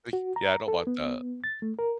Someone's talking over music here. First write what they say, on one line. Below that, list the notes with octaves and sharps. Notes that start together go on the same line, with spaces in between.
Ugh, yeah, I don't want that.
F#4
A#5
A4
B3
A6
A3
A#4